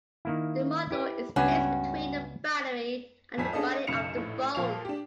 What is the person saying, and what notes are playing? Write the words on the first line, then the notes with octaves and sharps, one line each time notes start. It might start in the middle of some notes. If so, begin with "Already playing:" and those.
The module is placed between the battery and the body of the phone.
D#3 A#3 E4
E4 G4 B4
C#2 G2 B3 C#4 F#4 B4
G#1 F2 C4 G#5 B6
C#4 D4 G#4 A4 D#5 F5
B1 F#2 C#3 C#7 F7
A#1 A2
A#2 F3 F5 F7
D4 G4